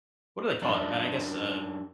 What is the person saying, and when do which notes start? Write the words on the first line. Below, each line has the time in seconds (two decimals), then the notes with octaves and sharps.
what do they call it- I I guess a
0.62 F#2 D4